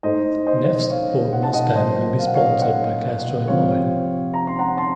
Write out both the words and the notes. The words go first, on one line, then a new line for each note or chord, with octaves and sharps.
Neff's Ford Mustang will be sponsored by Castrol Oil.
A2 A3 D#4 C5 D#5
C5 D#5
C#5 F5
F#5
A5
D#5 F#5
A#2 F#3 A#3 C5 D#5
F5
F#5
C#5 F5
D#5 F#5
C3 F3 C4 C#5 F5
A#5
C6
F#5 A#5
A5 C6